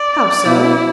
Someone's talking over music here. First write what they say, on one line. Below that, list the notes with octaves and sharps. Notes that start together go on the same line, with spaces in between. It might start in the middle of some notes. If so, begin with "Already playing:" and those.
"How so?"
Already playing: D5
B2 E4